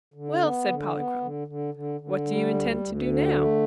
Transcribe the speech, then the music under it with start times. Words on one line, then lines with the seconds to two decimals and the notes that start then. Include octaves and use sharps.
"Well," said Polychrome, "what do you intend to do now?"
0.14 D3
0.42 B3
0.68 D3
0.94 B3
1.20 D3
1.48 D3
1.74 D3
2.01 D3
2.26 G3
2.53 D2
2.80 D2
3.07 D3
3.34 A3